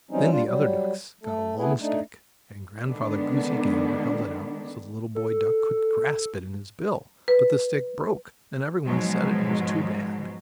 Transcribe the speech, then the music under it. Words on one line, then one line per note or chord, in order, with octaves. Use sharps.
Then the other ducks got a long stick and Grandfather Goosey-Gander held it out, so the little boy duck could grasp it in his bill, but the stick broke, and every one said it was too bad!
E3 F#3 G3 C4 C#4 D#4
G3 D4 F4
F#3 G3
A3 A4
A3 B3 E4 G#4 B4
A3 D4 D#4
D3 D#3 G#3 B3 D4
A4
B4
G#2 B2 F3 F#3 G#3